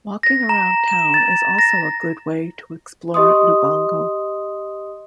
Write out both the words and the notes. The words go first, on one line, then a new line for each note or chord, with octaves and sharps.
Walking around town is also a good way to explore Lubango.
A#6
A#5
E7
A6
A#6
G4 D#5 C6 D#6